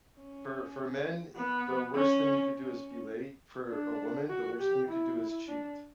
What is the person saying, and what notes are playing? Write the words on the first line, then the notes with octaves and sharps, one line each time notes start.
For for men, the worst thing you could do is be late. For a woman, the worst thing you could do is cheat.
C#4
B3
C#4
C#4
D4
F#4
G4
E4
D4